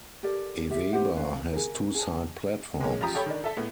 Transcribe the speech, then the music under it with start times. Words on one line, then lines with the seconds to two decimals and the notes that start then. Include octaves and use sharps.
Awaba has two side platforms.
0.23 G4 A4 A#4 D5
0.70 G4 E5
0.93 G4 B4 C5 F#5
1.16 C#4 B4 F5
1.53 G#4 A#4
1.94 G#4 A5
2.80 G#3 A#3 C#4
3.01 A1 F3 G4 A#5 D#6
3.15 G4 A4 C#5 G5 B5
3.26 D#3 D4
3.44 A4 E5 A5
3.57 A2 B3